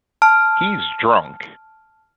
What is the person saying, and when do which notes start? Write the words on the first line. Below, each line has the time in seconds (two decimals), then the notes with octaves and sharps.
He’s drunk.
0.22 A5 F6